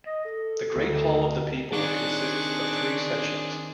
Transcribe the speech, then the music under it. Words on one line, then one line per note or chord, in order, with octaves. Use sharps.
The Great Hall of the People consists of three sections.
D#5
A4
D2
D#3 C4 D4 G#4 C#5 C#6 D6 F#6